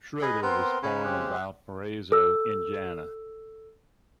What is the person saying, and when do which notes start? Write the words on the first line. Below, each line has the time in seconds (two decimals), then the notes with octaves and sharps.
Schroeder was born in Valparaiso, Indiana.
0.22 G#4 B4 D#5
0.43 B3 C4 A#4 C6
0.83 C#3 B4
1.04 G#3 C4 G4 F#6
2.12 A4 E6